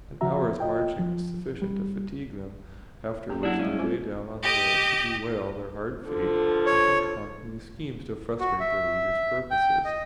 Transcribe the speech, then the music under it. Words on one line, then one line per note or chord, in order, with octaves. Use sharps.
An hour's marching was sufficient to fatigue them, after which they lay down on the road to bewail their hard fate, and concoct new schemes to frustrate their leader's purposes.
C#3 F3 F#4 E5 A#5
F4 D#5 G5
F3
G3
A#3 C#4 G#4
F#3 D4 E4 F#4 F#5
G3 G#3 C#4 E4
C4 F4 C5
G4 D#5
D3 F3
C#5
F#4
E5
G5
D#5